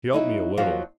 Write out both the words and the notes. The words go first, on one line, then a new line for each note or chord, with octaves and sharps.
He helped me a little.
F#3 D#4 E4
D#2 F3 F#3 F#4 F5